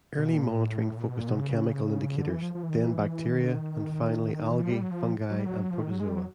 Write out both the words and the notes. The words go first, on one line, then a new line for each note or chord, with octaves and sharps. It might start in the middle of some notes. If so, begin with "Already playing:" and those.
Early monitoring focussed on chemical indicators, then bacteria, and finally algae, fungi and protozoa.
B2
A#2
A2
A#2
B2
A#2
B2
C#3
D3
E3
F3
F3
E3
D#3
E3
D#3
D3
D#3
E3
F3
G3
F#3
F3
F#3
G3
F#3
F3
D#3
F#3
G#3
G3
F#3